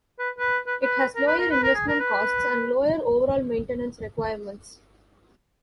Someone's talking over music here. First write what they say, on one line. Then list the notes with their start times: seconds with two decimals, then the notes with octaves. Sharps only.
It has lower investment costs, and lower overall maintenance requirements.
0.19 B4
0.38 B4
0.67 B4
0.83 B4
1.15 A#4
1.27 B4
1.39 A#4
1.51 B4
1.63 A#4
1.75 G#4
1.88 A#4
2.00 B4